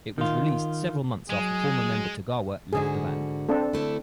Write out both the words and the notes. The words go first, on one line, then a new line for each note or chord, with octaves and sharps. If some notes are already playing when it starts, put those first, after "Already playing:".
It was released several months after former member Tagawa left the band.
D#3 F4
F#3 G#3 G#4
G#2 D3 F#4 G#4
C4 D4 A4
D3 A3 E4